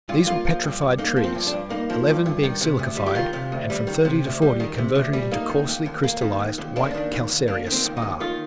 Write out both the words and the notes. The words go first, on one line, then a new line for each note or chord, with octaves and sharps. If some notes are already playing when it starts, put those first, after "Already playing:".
These were petrified trees, eleven being silicified, and from thirty to forty converted into coarsely-crystallized white calcareous spar.
G2 F4
A#3 F4
F3
G2
G2
A#3 D#4
F3
C4
G2
D4
G2
A#3 D#4
F3
G2
G2
D#3
C3
D2
G3
G4
D#3 F4
C3
D2
G3
D#3
C3
D2
G3
D#3
C3
D2
G3
A#3 D#4
D#3
D#2
D#2
A#3
D#3
D#2
D#2
A#3 D4
C4
D#3 D4
D#2
D#2
A#3 D4
D#3
C4
D#2
D#4
D#2
D#3 F4